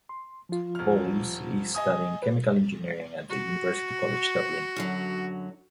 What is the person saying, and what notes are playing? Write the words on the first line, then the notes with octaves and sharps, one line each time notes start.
Boles is studying chemical engineering at the University College Dublin.
C6
F3 F4
D#1 F6
D#5 G#5 D#6
B4
F#4
F#2 D3 F#3